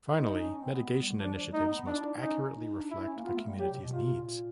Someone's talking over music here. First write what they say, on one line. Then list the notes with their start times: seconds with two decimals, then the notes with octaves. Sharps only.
Finally, mitigation initiatives must accurately reflect the community's needs.
0.17 D#4
0.28 D4
0.39 C#4
0.50 C#4
0.62 C4
0.73 B3
0.84 B3
1.02 G3
1.19 F3 D4
1.27 E3
1.36 F3
1.45 G3
1.53 A3 D#4
1.65 B3
1.76 B3
1.87 D4 D#4
1.96 E4
2.05 D#4
2.13 D4
2.21 C#4 D#4
2.56 D#4
2.67 D#4
2.78 D4
2.91 E4
3.07 C#4
3.16 A#3
3.24 B3 F4
3.36 A3
3.47 G3
3.58 F#3 G4
3.70 C3
3.81 B2
3.93 C3 F4
4.04 C3
4.15 A#2